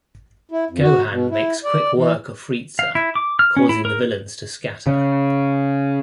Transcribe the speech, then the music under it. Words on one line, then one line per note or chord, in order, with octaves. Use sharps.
Gohan makes quick work of Frieza, causing the villains to scatter.
E4
F2
F#4
B2
E4
D5
E3
F5
E4
D6
F6
C#4
E4
A#4
C#3